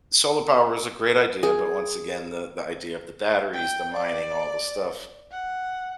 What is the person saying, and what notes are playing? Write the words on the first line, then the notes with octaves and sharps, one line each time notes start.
solar power is a great idea, but, once again, the the idea of the batteries, the mining, all the stuff,
G#4
G5
D5
F#5